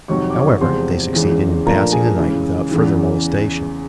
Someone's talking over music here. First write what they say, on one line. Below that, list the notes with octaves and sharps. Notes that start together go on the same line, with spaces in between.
However, they succeeded in passing the night without further molestation.
F2 C3 D#3 F#3 C#5 C#6
D6
C#5 C#6
E2 C3 F3 G#3 C5 C6
E2 C#3 E3 G#3
A#2 F3 A3 D4 A#4 A#5
G#4 G#5
C#3 E3 G#3
E2 C#3 E3